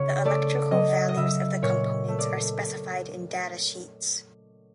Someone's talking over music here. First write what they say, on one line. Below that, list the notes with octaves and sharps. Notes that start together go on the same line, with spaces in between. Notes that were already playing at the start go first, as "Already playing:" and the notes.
The electrical values of the components are specified in data sheets.
Already playing: C#3 C#5
A3 D5
F#3 D#5
D#5
C#3 E5
A#2 C#5
A3
D5